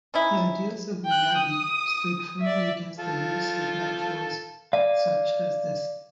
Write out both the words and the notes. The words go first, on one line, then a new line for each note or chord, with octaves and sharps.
The ideals of miyabi stood firmly against the use of metaphors such as this.
C#4 D#4 E4
G5 F#6
D#6
D5 E5
F4 A4
D5 F5